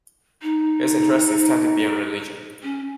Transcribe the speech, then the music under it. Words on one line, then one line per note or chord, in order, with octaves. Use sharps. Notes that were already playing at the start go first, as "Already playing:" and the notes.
His interests extended beyond religion.
D#4
C#4